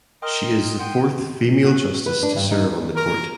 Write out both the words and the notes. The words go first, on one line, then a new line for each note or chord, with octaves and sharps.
She is the fourth female justice to serve on the court.
A#4 D#5 G5 C6 F6
F#5 G5 C6 D#6
F#4
B4
D4
G2
D#4
A#4